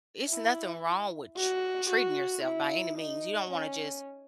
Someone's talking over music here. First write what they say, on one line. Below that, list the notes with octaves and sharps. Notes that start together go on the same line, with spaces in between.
it's nothing wrong with tre treating yourself by any means. You don't wanna just
E4
F#4
F#4
E4
D#4
C#4